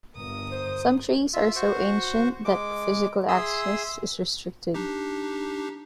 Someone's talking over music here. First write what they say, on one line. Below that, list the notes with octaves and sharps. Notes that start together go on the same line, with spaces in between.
Some trees are so ancient that physical access is restricted.
G1 A#4 D#6
C5
F4 E5
F#4 C5 C#6
G#3 D6
G#4 E5 C6 D#6 E6
D4 D#4 G4